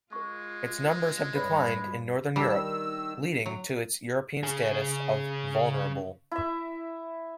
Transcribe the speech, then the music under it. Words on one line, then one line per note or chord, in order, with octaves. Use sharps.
Its numbers have declined in Northern Europe, leading to its European status of "vulnerable".
G#3 F4 A#4 C#6
G2 B4 C#5 D5 B5
D#3 G3 D4 E6
F#3
C#3 G#4
E4 E5